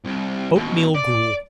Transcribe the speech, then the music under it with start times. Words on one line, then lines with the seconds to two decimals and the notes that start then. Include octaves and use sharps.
Oat-meal Gruel.
0.05 C2
0.56 D#2 B2
0.95 D5